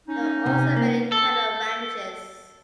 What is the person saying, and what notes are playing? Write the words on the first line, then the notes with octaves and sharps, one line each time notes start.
There are also many cattle ranches.
C#4 D#4
C3
A#3
A4